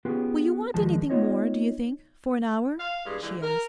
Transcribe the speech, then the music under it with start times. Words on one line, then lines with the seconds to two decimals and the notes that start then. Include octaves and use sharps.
'Will you want anything more, do you think, for an hour?' she asked.
0.05 B3 C#4 F4 G4 G#4 B4
0.74 D#2 F3 G#3 A5
1.10 B3 D#4 F4 C#5 D#5
2.79 F5
3.06 E2 G2 G#3 G#4
3.21 A#2 D3 E3 G#3
3.43 A#4